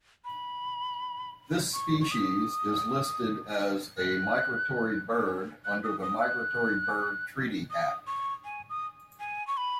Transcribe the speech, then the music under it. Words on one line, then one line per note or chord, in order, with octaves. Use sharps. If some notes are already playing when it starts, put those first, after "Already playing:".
This species is listed as a migratory bird under the Migratory Bird Treaty Act.
B5
C#6
C#6
D#6
F#6
F#6
D#6
D#6
F#6
D#6
C#6
G#5
D#6
G#5
C#6
B5